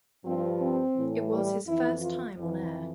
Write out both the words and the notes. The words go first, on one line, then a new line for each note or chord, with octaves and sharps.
It was his first time on air.
G2 F3 C4
C4
A2 E3
G3
F2 E3 E4
F4
F2 E3